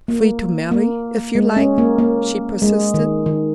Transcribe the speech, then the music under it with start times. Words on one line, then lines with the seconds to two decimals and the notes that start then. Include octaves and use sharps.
"Free to marry, if you like?" she persisted.
0.08 A#3
0.72 A#3
1.35 G#3
1.56 C#4
1.78 A#3
1.98 A#3
2.62 G#3
2.94 D#3
3.26 D#3